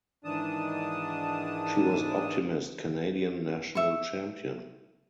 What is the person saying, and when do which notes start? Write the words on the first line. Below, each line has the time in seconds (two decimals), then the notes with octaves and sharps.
She was Optimist Canadian national champion.
0.25 G#2 D#3 E3 D4 A5 D#6
3.75 E5 C#6